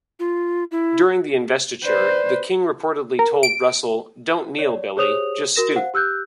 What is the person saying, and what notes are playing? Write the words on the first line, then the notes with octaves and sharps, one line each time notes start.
During the investiture, the King reportedly told Russell "Don't kneel Billy, just stoop".
F4
E4
B4 C5 D5
A#4
D7
C#5 D5
G4 G#4 C5 C#5 D#6 F7
F#4 A#4 A#6 E7
C5 F5 F#5
G4 E6 F#6 G6